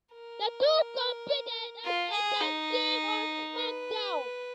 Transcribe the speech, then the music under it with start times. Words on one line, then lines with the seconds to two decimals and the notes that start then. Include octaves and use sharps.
The two competed as a tag team on SmackDown!
0.13 A#4
1.84 F4
2.13 G#4
2.41 D#4
3.55 B4